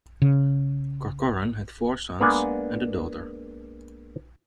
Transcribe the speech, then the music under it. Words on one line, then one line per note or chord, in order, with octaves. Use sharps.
Corcoran had four sons and a daughter.
C#3
G#3 A#3 B3 D4 F#5 G#5